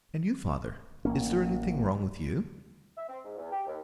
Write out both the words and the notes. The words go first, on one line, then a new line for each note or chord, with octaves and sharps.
"And you, father--is there anything wrong with you?"
A1 A#3 C#4
E5
C4
G#2
E2
G4
D#2